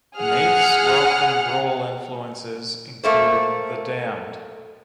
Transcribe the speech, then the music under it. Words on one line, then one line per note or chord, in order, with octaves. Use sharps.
Naiff's rock and roll influences include The Damned.
G#4 F#5 F6
A3 A#3 C5